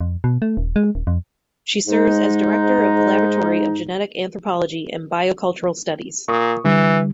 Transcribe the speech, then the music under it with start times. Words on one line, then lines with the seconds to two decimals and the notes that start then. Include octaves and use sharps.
She serves as Director of the Laboratory of Genetic Anthropology and Biocultural Studies.
0.01 F2
0.24 B2
0.42 A3
0.57 D#1
0.76 G#3
0.95 D#1
1.07 F2
1.87 G#2 G#3 D#4
6.28 A#2 C#6 D#6
6.65 D3 E3 G3